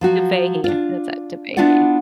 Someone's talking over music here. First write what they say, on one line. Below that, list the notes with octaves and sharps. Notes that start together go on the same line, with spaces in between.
Dhivehi, that's it, Dhivehi.
F3 F#3 F#4
D4 F4
B3 D4 E4 F4 D5 F#5